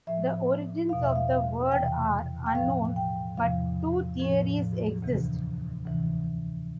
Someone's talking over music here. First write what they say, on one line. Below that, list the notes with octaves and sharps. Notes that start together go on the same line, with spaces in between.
The origins of the word are unknown but two theories exist.
A2 F3 E5
E2 B2 F5
E5
F5
F5
E2 C3 E3 G5
G5
A2 F3 F5
G5
E2 C3 F3 F5
A2 F3
D2 C3 E3
D2 C3 E3